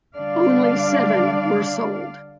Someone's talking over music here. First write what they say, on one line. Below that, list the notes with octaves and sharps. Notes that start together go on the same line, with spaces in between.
Only seven were sold.
D3 G3 D4 D5 F5